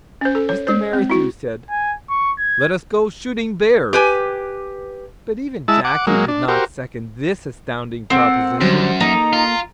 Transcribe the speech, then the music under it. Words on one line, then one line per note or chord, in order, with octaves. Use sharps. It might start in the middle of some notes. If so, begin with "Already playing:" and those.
Mr. Merrithew said "Let us go shooting bears," but even Jackie did not second this astounding proposition.
C#4 C5
A4
C#5
G#3 C5
C4
E4 F#4
G#5
C#6
G#6
G4 B4 G#5
G#3 E4 A5 E6
F#5 D6
F#3 G#3 A#3
D4
F#4 G4 A#4 C5
C4 A4 A#4 F#5
F#2 D3 F#3 G3 C5
A#3 D#4 A4 A#5
F4